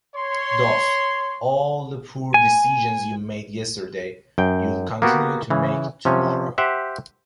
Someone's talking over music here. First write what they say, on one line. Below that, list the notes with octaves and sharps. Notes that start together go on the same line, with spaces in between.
Thus, all the poor decisions you made yesterday, you'll continue to make tomorrow.
C#5 C6
G#5
F#2 G5
A#3 B3 F#4 G4
C#3 E3
C3 F3 C#4
G4 C5 E5 F#5